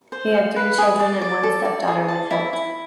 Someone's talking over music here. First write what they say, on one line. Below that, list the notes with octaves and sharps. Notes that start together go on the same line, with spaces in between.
He had three children and one stepdaughter with Hilt.
C5
F5
B4
G#4
D5
D5
A4
D5
G#4
A5
E4
E4